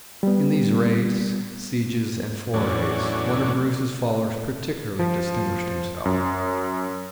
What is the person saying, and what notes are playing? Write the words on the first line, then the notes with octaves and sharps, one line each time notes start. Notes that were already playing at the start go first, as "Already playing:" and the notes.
In these raids, sieges and forays one of Bruce's followers particularly distinguished himself.
G3 B3
E2 A2 F#3 C#4 D4
F3
F#2